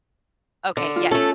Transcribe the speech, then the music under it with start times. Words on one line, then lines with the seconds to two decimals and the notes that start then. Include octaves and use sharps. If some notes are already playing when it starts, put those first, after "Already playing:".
Okay, yay.
0.77 D3
0.96 F4
1.11 A3 C#4 A4